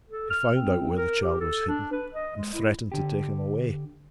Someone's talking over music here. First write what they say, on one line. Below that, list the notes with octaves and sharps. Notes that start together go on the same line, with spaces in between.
He found out where the child was hidden, and threatened to take him away.
A4
F6
C4
A#4
G4
A4
D4
B4
D#5
G#3
E4
D3 G4